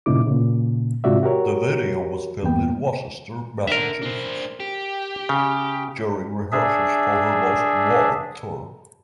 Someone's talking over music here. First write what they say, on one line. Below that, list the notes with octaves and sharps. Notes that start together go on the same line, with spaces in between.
The video was filmed in Worcester, Massachusetts during rehearsals for her Most Wanted Tour.
G2 A#2 C#3 D#4 E4 D6
A#2 C#3
G#2 C3 F4 F#4 D5 E5
F#4 G4 A#4 C#5
E2 G2 A#3 B3 G5
D3 A#4 E5
D4 C5
G4
C#3
D4 G#4 E5